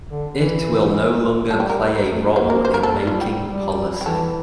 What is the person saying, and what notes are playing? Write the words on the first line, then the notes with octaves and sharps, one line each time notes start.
It will no longer play a role in making policy.
D3
E3
G3 A4
G4
A#4
A3
A#3 C5
A#4
C5
A#4
A4
G3
F4
G4
G3
G4
E3 A4